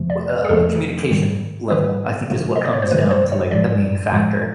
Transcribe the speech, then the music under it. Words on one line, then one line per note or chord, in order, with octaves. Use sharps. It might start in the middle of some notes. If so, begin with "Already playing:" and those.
w uh, communication level, I think, is what comes down to, like, the main factor.
Already playing: F2 C3 F3 A3
D5
B4
G#4
F2 C3 F3 A3 A4
G#2 D#3 G3
G#2 D#3 G3 B4
C3 D#3 F#3 A3
D#5
D5
C#5
C5
C3 D#3 F#3 A3 B4
C5
C#5
A2 F3 G#3 D5
A2 F3 G#3